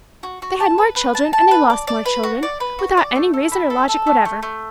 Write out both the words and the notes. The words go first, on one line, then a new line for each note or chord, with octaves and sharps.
They had more children, and they lost more children,--without any reason or logic whatever.
F#4
F#4
A5
B4
B4
A5
A5
B4
D5
D5
B4
F#4
D5
B4
F#4
D5
A3
A3
E4
A4
A4
A3
A3
A3